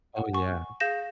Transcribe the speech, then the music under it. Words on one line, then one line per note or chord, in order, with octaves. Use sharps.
oh, yeah.
F#5
G#5 C#6
G#4 F5 G6 A#6 E7